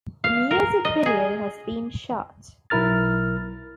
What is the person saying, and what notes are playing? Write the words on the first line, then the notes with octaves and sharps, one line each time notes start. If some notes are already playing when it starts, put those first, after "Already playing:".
The music video has been shot.
F5
A#4
D#5
G#4
B1 E4 A#4 F6 A6